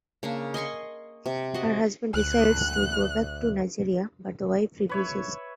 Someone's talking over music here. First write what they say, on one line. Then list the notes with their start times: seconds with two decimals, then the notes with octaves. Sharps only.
Her husband decides to go back to Nigeria but the wife refuses.
0.23 C#3 A#3 D4
0.54 D#5 G#5 C6 C#6
1.26 C3
1.54 F#4 D#5
2.14 D2 F#6
4.89 B4 C#5 E5